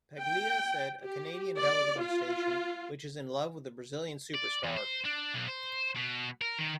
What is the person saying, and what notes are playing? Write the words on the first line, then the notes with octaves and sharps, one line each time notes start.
Paglia said, a Canadian television station, which is in love with a Brazilian superstar.
G5
G4
D5
F4
D5
E2
C5
D4
B1
C5
B2
A#4
D#3